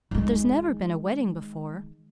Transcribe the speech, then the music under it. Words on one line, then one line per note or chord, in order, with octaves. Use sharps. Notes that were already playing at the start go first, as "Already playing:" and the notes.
But there's never been a wedding before.
D#3 G#3